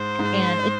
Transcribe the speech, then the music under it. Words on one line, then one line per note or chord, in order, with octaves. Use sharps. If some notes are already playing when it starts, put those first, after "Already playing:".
And it
Already playing: G#2 C5
G#2